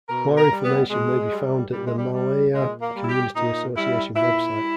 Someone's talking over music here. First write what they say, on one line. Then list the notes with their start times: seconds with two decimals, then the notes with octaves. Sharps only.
More information may be found at the Maalaea Community Association web site.
0.09 B2 A#4
0.36 A#4
0.50 G3
0.64 B3
0.90 B2 G#3
1.31 G3
1.72 A#2 G3
1.85 G#3
1.97 G3
2.13 G3
2.53 A#2 G#3
2.81 A#3
2.94 G3
3.04 E4
3.08 G4
3.35 A#2 D#4
3.76 G3 E4
4.16 A#2 E4
4.57 G3